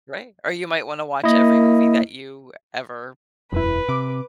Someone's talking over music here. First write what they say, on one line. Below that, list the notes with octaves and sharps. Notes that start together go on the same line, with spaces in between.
Right, or you might wanna watch every movie that you ever
A#3 E4 D#5
E1 F#2 E4 B4
C3 D6